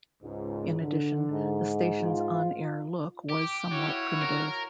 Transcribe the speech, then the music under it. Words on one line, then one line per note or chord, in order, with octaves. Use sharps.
In addition, the station's on-air look was somewhat primitive.
C#2 G#2
D3
G#2
F4
G4 D6
E4 F#4 C#5 F5
A#4